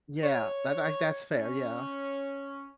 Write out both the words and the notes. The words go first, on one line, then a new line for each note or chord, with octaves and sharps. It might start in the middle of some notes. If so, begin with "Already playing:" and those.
Yeah, that's i that's fair, yeah.
C#5
C#4